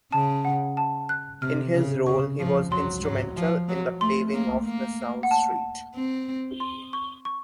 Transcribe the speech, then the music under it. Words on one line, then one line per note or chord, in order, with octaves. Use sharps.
In his role he was instrumental in the paving of Nassau Street.
C#3 A5
F#5
A5
F#6
C3 F6
C#3
C#3 C#6
F3
F#3 C6
F#3
F3
F#3
A3 C6
A#3
A#3
F#5
A5
C4
C6
C#6
C#6